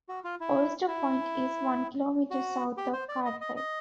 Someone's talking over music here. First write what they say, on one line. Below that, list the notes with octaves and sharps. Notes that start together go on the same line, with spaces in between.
Oyster Point is one kilometre south of Cardwell.
F#4
F4
E4
E4
F#4
G4
C5
D5
D#5
D#5
D#5